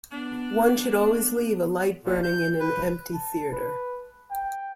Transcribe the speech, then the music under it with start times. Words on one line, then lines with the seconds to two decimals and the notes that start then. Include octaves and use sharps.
One should always leave a light burning in an empty theatre.
0.12 B3 D4
2.04 A#2
2.23 G6
2.59 B4
3.14 A5
3.53 B4
4.31 G5